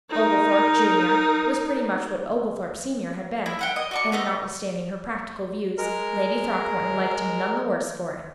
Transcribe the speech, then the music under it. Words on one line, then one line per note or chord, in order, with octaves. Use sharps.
Oglethorpe, junior, was pretty much what Oglethorpe, senior, had been, and notwithstanding her practical views, Lady Throckmorton liked him none the worse for it.
D#4 A#4
E4
E4 F#5 G5
D#5
F#4 D5 C#6
A3 B3 D#4
G#3 A#4